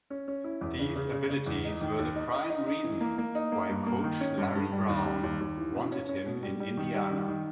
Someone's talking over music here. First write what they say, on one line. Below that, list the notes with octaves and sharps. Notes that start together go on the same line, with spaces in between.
These abilities were the prime reason why coach Larry Brown wanted him in Indiana.
C#4
C#4
E4
E2
C#3
C#3
C#3
C#3
E2
D#4
D#3
D#2
D#4
D#4
D#4
D#4
E3
A#3
A#3
D#4
A#3
G2
A#3
D#3
C#4
G2
G2
G3
D#2
G3
D#2
D#2
E3
B2
C#4
C#4
B2
G3
G3
D#3
G3
D#3
D#3